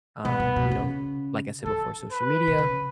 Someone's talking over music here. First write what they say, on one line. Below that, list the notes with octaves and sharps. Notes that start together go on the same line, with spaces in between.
um, you know, like I said before, social media.
B2 B3
B2
B2
C#3
D3 A4
B4
B2
C#3